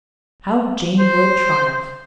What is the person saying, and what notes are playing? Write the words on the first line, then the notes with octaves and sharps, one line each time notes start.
How Jane would triumph!
C5